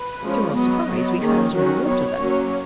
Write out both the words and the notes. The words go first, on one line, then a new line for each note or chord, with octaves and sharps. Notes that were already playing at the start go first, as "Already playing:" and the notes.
To our surprise, we found no water there.
Already playing: B4
F3 G#3 C#4
F#3 B3 D#5
F#3 B3
D#3 A#3 C#4 G#4
D#3 F#3 C#4 F#4
F#3 B3 C#5
F#3 A#3 C#4